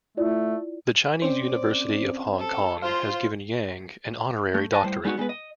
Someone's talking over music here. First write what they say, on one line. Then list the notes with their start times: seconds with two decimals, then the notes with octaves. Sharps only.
The Chinese University of Hong Kong has given Yang an honorary doctorate.
0.17 A3 E4 F4 D5
1.22 C4 C#4 C5 D5
2.39 A4
2.82 F4 C5 F5
4.55 A3
4.72 B4 D#5 G#5 A5
4.83 A2 G3 C5
5.04 G3 G#3 B3 D#4 F4 F#4
5.17 G3 G#3 B3 B4
5.29 D#5